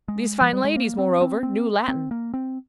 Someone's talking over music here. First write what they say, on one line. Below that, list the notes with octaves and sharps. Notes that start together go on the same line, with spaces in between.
These fine ladies, moreover, knew Latin.
G#3
F3
G3
G#3
A#3
C4
C4
C4
C4
A#3
C4